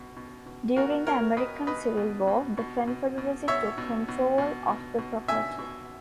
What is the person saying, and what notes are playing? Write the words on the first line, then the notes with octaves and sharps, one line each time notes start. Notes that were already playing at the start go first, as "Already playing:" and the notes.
During the American Civil War, the Confederacy took control of the property.
Already playing: B2
B2
B2
B2 F#4 A#4
B2 A#4 C#5
B2 B4 D#5
B2 B4 D#5
B2
B2
B2
B2
B2
B2 C#5 E5
B2
B2
B2
B2
B2
B2 E5 G#5
B2